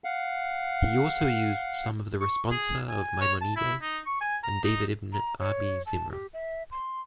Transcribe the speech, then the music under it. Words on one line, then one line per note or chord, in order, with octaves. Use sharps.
He also used some of the Responsa of Maimonides and David Ibn Abi Zimra.
F5 F#5
C#6
G#4
G#5
C#5
A5
E4
D#4
C#6
G#5
A#5
D#4
A#5
C#5
A5
G4
E5
C6